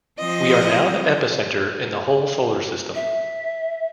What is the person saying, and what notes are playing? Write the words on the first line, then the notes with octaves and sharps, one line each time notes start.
We are now the epicenter in the whole solar system.
F3 C4 D#5
E5